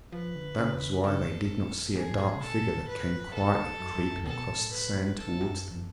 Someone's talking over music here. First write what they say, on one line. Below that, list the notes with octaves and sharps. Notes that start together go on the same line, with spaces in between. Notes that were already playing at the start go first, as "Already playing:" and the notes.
That was why they did not see a dark figure that came quietly creeping across the sand towards them.
F3 B4
D3
C#3
C#3 A4
F#2
F2 G#4
A2
G#2
C#3
B2 A4
A2
G#2 B4
A4
F#2
F#2
F#2
B2 A4
A2
B4
A4
F#2